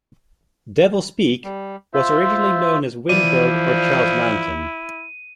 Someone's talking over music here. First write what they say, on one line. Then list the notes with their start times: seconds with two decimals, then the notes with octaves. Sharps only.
Devil's Peak was originally known as Windberg or Charles Mountain.
1.44 G3
1.93 F4 C5 E5
3.09 E3 F3 E4 D5 D#7